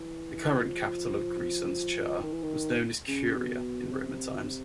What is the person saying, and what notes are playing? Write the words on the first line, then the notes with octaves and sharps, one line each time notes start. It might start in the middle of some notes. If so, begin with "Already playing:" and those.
The current capital of Grisons, Chur, was known as Curia in Roman times.
Already playing: E3
F3
D#3
E3
D#3
C#3
B2
C3
B2
C3